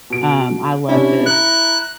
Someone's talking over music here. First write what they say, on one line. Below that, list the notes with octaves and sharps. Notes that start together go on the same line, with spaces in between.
Um, I loved it.
B2 D7
C3 C#4 D4 E4
A#5 F#6 C#7